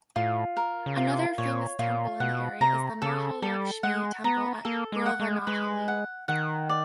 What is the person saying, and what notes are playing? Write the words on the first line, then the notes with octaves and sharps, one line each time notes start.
Another famous temple in the area is the Mahalakshmi Temple at Goravanahalli.
A2 F4
A#4
C#3
C3 F4
A#2 C#5
A#2 F4
B2 F#5
C3 A#5
C#3 A4
G3 A4
G#3 F#5
B3 A#5
A#3 A4
G#3
F#5
G#3
G#3 B4
F#5
D#3 F#5
D5